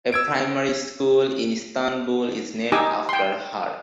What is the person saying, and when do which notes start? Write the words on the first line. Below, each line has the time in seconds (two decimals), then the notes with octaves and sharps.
A primary school in Istanbul is named after her.
0.12 E6 G#6 D7
2.72 D#4 G4 G#5 D6 E6
3.09 G5 C6